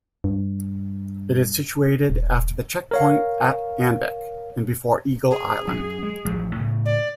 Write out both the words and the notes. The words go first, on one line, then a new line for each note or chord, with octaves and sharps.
It is situated after the checkpoint at Anvik and before Eagle Island.
G2
D#1
A#4 C#5 F5
G#4
F#3 C#4
G#3
A1 F3 F#3
A2 C#3
D5